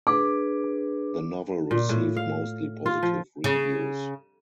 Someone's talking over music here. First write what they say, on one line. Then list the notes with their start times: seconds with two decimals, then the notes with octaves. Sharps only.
The novel received mostly positive reviews.
0.07 D4 G#4 B4 D6
1.71 A#2
1.89 A2
2.17 F5
2.86 F4
3.03 F3
3.44 C#3